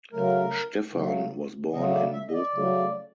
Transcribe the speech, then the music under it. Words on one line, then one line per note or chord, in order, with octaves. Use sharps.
Stephan was born in Bochum.
C#3 F#3 A3 A#4
C#3 F#3 A3
C#3 F#3 A3 D#5
D5
E5
D#5
D5
C#3 F#3 A3